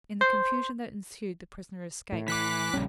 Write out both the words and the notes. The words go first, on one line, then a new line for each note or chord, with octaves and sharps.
In the confusion that ensued the prisoner escaped.
C5
A2
E3 D6 F#6 B6
A#1 G2 C#3 C#4